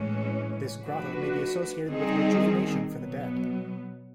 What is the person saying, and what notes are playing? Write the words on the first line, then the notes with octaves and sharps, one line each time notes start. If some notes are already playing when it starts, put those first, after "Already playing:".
This grotto may be associated with rejuvenation for the dead.
Already playing: A2 E3 G#3 C#4
F3 A3 D4 F#4 B4
D#3 G3 C4 D#4 G#4
B2 F#3 B3